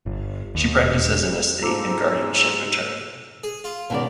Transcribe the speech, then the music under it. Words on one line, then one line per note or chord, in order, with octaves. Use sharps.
She practiced as an estate and guardianship attorney.
G1
D#2
E1
G#2 F4 A4 C5 A#5 D6 E6
G#4
F4
C#2 B2 D#3 D5